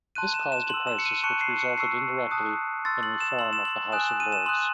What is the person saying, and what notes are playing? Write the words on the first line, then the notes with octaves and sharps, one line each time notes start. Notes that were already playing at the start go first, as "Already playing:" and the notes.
This caused a crisis which resulted indirectly in reform of the House of Lords.
A5 C6 F#6 D#7
E7
E7
C6 E6 F#7
E7
C#7
D#7
A5 C#6 F#6 C#7
C7
C#7
A5 C#6 E6 C7
A5 D#6 F#6
C6 E6 A6
F#7
E7
C6 E6 F#7
E7
F#7
G#5 D#6 F#6 E7
E7
D#7
E7
C6 D#6 F#6 F#7